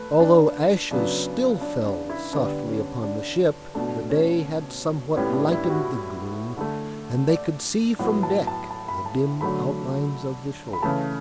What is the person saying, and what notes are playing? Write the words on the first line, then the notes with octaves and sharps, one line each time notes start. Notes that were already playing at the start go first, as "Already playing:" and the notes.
Although ashes still fell softly upon the ship the day had somewhat lightened the gloom and they could see from deck the dim outlines of the shore.
Already playing: A3 B4
D4
C#3 F#3 B3 D4
D4
D4
E4
D3 G3 B3 D4
C#4
D4
B2 A3 D4
C#4
A2 G3 B3 C#4
D4
E4
G4
F#4
D3 A3
D5
A2 F#3 B3 F#5
A5
A5
A5
B5
A5
D3 F#3 A3 B5
B5
C#3 E3 A3 A5